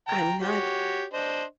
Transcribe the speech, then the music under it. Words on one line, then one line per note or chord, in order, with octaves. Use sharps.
I I'm not
G5 A#5
F#4 G4 C#5
D4 C5 D#5